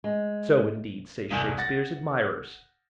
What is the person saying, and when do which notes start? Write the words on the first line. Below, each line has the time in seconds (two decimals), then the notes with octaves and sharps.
So, indeed, say Shakespeare's admirers.
0.04 G#3
1.31 E1 C2 G2 G#5
1.58 F#5 A6 A#6